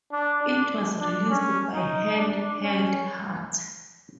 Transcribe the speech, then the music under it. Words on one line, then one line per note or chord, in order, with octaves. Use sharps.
It was released by Hand Held Heart.
D4
D4
D4
C#4
D#4
D4
C#4